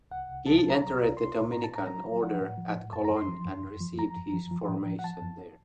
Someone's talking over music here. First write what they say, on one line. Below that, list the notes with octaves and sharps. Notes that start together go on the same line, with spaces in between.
He entered the Dominican Order at Cologne and received his formation there.
C2 F#5
C2
C2 A5
A5
F#3
A#5
C2 A#5
C2
C2 C6
A#2
A2 A#5
A5
A2
A#5
F#3 A#5
F#3
F3 F#5
A2
F3
A2
F#2 A5
A#5
F#2
C6
F3
F#2
F#2
F3
F3 A#5
F#2
F3
F3
A2
F3
F#5
F3 A5
F#2